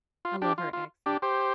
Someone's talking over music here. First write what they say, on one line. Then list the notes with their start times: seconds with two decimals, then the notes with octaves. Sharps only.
I love her accent.
0.25 F4
0.42 D4 G4
0.58 F4
0.73 F4
1.06 D4 G4
1.22 G4 C5